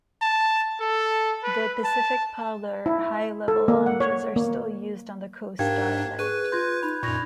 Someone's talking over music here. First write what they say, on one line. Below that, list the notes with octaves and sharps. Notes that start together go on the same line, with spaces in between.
The "Pacific Parlour" Hi-Level lounges are still used on the "Coast Starlight".
A5
A4
B4
A5
E4
A4
A#3
F#5
C#5
A#3
G#2 D4 G4 A#4 F5 G5 G#6
G#4 B4 C#6 F#6 D#7
F4 C6 G6 G#6
D#4 B5
F#2 A#2 B5 C#6 G#6 A#6 F7